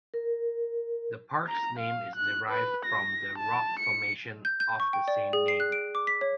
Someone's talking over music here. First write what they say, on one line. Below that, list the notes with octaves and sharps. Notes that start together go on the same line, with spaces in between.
The park's name is derived from the rock formation of the same name.
A#4
A#5
F5
F#6
B4
A#6
A5
C#7
G6
G6
C#6
G5
D5
G#4
C7
F#6
D7
D6
B6
C#5